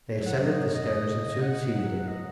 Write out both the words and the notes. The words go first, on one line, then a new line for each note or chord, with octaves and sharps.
They ascended the stairs, and soon seated him.
C#5
F#3
D#3 F#5
F#3 C#5 D#5
C#5
G#2
F#2 D#5
A#2
G#2
C#3
F#5
F#3
D#5